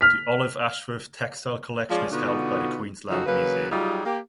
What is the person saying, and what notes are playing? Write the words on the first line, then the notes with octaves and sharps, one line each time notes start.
The Olive Ashworth Textile Collection is held by the Queensland Museum.
F6 B6
F3 G#3 C#4 F4 G#4 D5
B2 D3 B3 D#4 F4 F#4
C#3 F3 D#4 F#4 G4 A4
C#3 F#3 A#3 B4
F#3 G3 D#4 F4 G4 G#4
A#3 G4